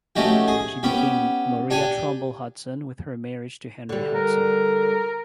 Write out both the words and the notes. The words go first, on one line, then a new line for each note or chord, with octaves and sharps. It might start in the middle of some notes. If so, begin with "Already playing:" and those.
She became Maria Trumbull Hudson with her marriage to Henry Hudson.
A3 C#4 D#4 F#4 G4
G#4
B3 C#4 G4
D4 G4 G#5
D3 G3
A#4